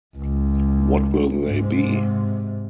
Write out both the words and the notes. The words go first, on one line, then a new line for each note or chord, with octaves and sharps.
What will they be?
C#2
G#2 C3